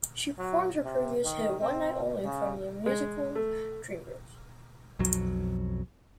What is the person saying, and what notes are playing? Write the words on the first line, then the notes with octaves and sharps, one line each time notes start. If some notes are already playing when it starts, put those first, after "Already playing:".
She performed her previous hit "One Night Only", from the musical "Dreamgirls".
F#3
C3
D#3
C4
C#3
G#3
A3
B1 F2 F#3